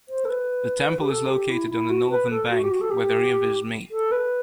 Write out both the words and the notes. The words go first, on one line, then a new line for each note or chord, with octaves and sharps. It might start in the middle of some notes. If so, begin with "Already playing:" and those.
The temple is located on the northern bank where the rivers meet.
C5
A4
B4
G4
A4
G4
E4
E4
F#4
B4
A4
F#4
G4
F#4
A4
G4
A4
B4